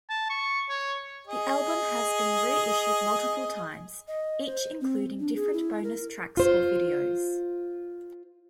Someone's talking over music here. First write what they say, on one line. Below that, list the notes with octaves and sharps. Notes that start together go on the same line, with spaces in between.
The album has been reiussed multiple times, each including different bonus tracks or videos.
A5
C#6
C#5
G#4 D#5
D#5
C5
C4
D4
G#4
E4
A#4
F4 C5